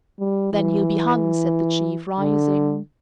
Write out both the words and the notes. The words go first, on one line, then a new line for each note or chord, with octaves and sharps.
"Then he'll be hung," said the Chief, rising.
G3
E3
D3